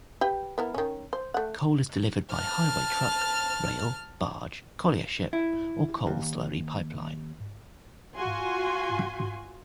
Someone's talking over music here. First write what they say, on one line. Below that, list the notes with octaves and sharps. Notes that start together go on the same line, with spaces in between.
Coal is delivered by highway truck, rail, barge, collier ship or coal slurry pipeline.
G4 B4 G5
B3 E4 A#4
D#3 C#4
C5
A3 F#5
A5 F6
E4
D#2
F4 F#4 G#5 C6